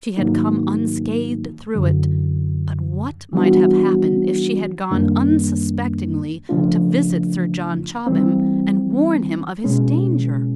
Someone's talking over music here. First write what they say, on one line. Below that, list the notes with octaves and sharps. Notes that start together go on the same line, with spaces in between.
She had come unscathed through it, but what might have happened if she had gone unsuspectingly to visit Sir John Chobham and warn him of his danger?
G#2 D#3 F#3 A#3 D#4
F#2 D3 F#3
E3 G3 B3 D4 F#4
F#2 D#3 G3 A#3 D4
C#3 F3 A3 D4 F4
E3 G3 C4
B2 G#3 C#4